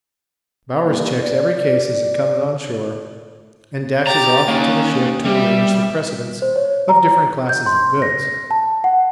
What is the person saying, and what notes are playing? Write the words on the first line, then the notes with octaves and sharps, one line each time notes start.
Bowers checks every case as it comes on shore and dashes off to the ship to arrange the precedence of different classes of goods.
G2 E3 G3 A#3
D5
G4 A#5 A6
A#3 C#4 D#4
G3 E5
C5
C#5
A#5
G6
C6
A#6
A5
F#5